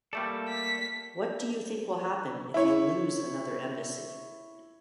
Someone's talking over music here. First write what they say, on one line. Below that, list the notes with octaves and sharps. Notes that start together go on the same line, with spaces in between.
What do you think will happen if you lose another embassy?
G3 A3 A#3 A4 D5
B6
E4 C#5